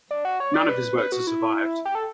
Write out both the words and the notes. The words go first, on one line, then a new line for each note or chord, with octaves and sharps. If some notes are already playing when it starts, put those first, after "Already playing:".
None of his works have survived.
D4
F#4
C#5
D5
B4
B4
F#4
E4
G4
A4